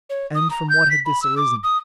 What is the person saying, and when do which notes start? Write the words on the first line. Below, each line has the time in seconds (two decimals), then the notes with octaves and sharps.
And from what had this arisen?
0.10 C#5
0.35 D#6
0.51 A#5
0.69 G6
0.90 B6
1.05 B5
1.22 E6
1.37 D6
1.63 D#6